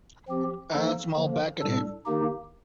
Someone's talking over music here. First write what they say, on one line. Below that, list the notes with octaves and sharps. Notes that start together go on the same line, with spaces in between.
Anne smiled back at him.
F3 C4 G4
F3 A#3 D#4 A4
D3 F3 A#3
A2 G3 D4 A4
D#3 A#3 D#4 G4